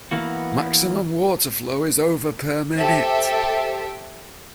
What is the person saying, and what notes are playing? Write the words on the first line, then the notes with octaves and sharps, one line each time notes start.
Maximum water flow is over per minute.
E3 A#3 B3 F#4
G4 A4 C5 E5